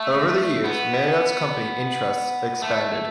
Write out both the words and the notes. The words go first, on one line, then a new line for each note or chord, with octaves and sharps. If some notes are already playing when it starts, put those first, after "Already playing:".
Over the years, Marriott's company interests expanded.
Already playing: A3
B3
A3